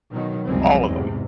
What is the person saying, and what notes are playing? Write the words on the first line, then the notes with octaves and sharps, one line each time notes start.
All of 'em.
B2 D#3 F#3
F#1 C2 F3 G3 G#3 C4
E2 G#2 C3